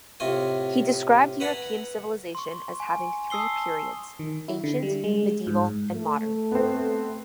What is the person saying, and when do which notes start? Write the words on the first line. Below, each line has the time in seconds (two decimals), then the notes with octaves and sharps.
He described European civilisation as having three periods: ancient, medieval and modern.
0.20 A2 C3 F4 D#5 G#5
1.40 B4 E5 F#5 G#5 A#5 B5
2.35 C6 C#6
2.80 G#5
3.30 A5 D#6 E6 C7 G7
4.19 D#3
4.48 E4
4.64 D3
4.83 G3
5.04 G#3
5.47 G#2
5.95 A3
6.52 B3 C4